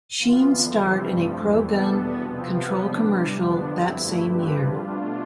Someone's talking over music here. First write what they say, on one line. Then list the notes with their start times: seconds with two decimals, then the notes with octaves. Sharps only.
Sheen starred in a pro-gun control commercial that same year.
0.19 E3 B3 F4
0.47 F2 D3 F3
0.76 C3 E3 G3 C4
1.05 G2 F3 A3 E4
1.35 E2 C3 E3
1.64 G3 B3 D4 A4
1.93 E2 B2 B3
2.22 C3 F3 C4
2.51 C3 F3 B3 F4 B4
2.80 A2 G3 D4
3.09 C3 E3 G3
3.38 F2 D3 F3 B3 D4
3.67 G3 C4 E4
3.97 G2 D3 A3 E4
4.26 F3 C4 G4 B4
4.55 G3 D4 F4
4.84 B2 A3 D4 F4